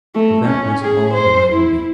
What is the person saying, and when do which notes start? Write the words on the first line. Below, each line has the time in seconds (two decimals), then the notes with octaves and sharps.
For that was all that I had been.
0.15 A3
0.46 C#4
0.82 G#4
1.13 C5
1.52 E4